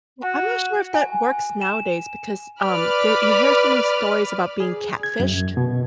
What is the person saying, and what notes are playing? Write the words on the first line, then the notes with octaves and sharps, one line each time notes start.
Yeah, I'm not sure if that works nowadays because, um, there you hear so many stories about being catfished.
F#4
G#5
E7
B4 D5 B5 F6
G#4
G#6
F#2
B2